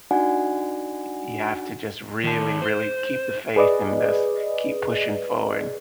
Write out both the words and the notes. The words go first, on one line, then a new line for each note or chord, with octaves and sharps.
you have to just really, really keep the faith in this, keep pushing forward,
D4 D#4 F#4 D5 F#5 G#5
D#3 A5
C5
G#4 B4 D5 D#5